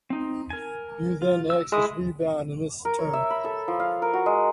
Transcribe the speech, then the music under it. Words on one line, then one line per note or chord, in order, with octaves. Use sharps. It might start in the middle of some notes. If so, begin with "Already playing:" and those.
U then x is rebound in this term.
C4 D#4
A#4 G#5
F4
E6
G#3 E4 D#6
A#4
C#5
E5
B5
A4
F3
F5
A#4
F#4
G#3